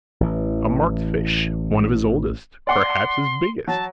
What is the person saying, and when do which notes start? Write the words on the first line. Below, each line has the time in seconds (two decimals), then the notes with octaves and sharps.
A marked fish, one of his oldest, perhaps his biggest!
0.20 A1 E3
2.67 D5 F#5 C6 D6
3.68 F#3 A5